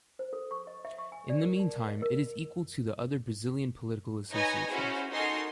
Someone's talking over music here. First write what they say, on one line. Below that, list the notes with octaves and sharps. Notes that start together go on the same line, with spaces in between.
In the meantime, it is equal to the other Brazilian political associations.
C5
A4
C#6
D#5
E5
C#6
G#5
D5
A#4
A5
D#5
A#4
D#4 B4 C#5 D#5 G#5 A#6
C#4 E4 F#4 G#4 C5
D#4 F#4 A4 A#4 G#5 C6